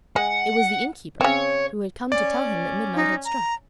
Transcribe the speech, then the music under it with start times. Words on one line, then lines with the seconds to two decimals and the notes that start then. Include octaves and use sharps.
It was the Innkeeper who had come to tell him that midnight had struck.
0.16 G#3 F#5 G#5
1.21 C#3 C4 C#5
2.12 C#4 D5
2.96 D#4
3.25 A#5